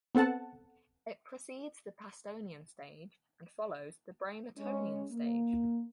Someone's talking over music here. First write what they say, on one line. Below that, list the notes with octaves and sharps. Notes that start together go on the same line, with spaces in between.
It precedes the Pastonian Stage and follows the Bramertonian Stage.
B3 C4 A4 F#5 A5
G#3 C#4
A#3